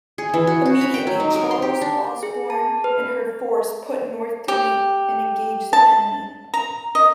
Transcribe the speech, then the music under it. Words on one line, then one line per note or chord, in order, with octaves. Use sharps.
Immediately, "Charles Ausburne" and her force put north to meet and engage the enemy.
G#4
E3
F#4
F#4
B5
G5
F#3
D#4
A#4
C6
G4
D4
G#4
A5
B4
G4
A5
A#5
D#5